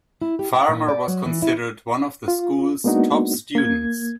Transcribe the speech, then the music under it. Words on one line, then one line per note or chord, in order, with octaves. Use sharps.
Farmer was considered one of the school's top students.
E4
G4
G5
A#2
D5
F#3
E3
E4
F4
G#3 A#3 B3 D4 D#4 F#4
A#3 G#6